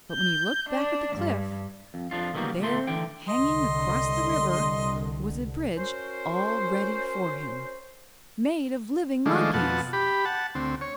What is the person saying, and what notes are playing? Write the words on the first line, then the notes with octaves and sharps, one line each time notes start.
But when he looked back at the cliff, there, hanging across the river, was a bridge all ready for him--made of living monkeys!
G6
D4
G2
F2
F2 F3 D4 F4
B2 D3 D#3 F#3 G3 A#3
D2 A#2 A3 C6
D3 E3 G5
C2 D3 D#5 C6
C#4 F#4 A#4 C5
D#3 F3 G#3 A3 D4
F2 B2 F#5 A5
G4 B5
F#5 A5
D2 C4
C#5